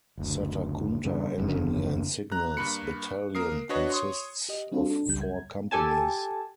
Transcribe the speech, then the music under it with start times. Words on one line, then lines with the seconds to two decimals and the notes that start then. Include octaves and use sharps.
Satakunta Engineer and Signals Battalion consists of four companies.
0.18 F#1 D2
1.05 G2 C#3
1.38 F#1 F2 D3
2.32 A#5 F#6
2.57 G2 A#3 B5 C#7
3.35 A#3 A#4 D#6 C7
3.69 D4 F#4 B4 C#5 D#5
3.90 C#5 C6 C#6 D#6
4.49 G4 D#5
4.72 G3 C4 D4 F4 F#4 A4
4.86 D4 A4
5.06 G#1 C#2 C#3 G3 G6
5.21 G#6
5.71 G4 A4 G#5 A5